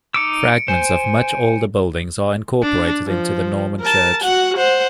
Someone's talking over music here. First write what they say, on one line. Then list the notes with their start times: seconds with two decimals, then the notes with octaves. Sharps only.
Fragments of much older buildings are incorporated into the Norman church.
0.14 D#4 D6 E6 C#7 D7
0.68 C5 G#5 C#7
2.62 D4
3.06 F3
3.80 A#4 A5
4.25 F#4 F#5
4.58 C5 F#5